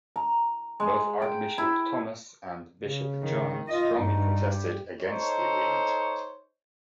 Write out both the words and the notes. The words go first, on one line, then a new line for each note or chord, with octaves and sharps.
Both Archbishop Thomas and Bishop John strongly protested against the agreement.
A#5
G#3
G5
E4
C#3
D#3
F4 D#5
G2 D#4
G4
D#4 A4 C5 C#5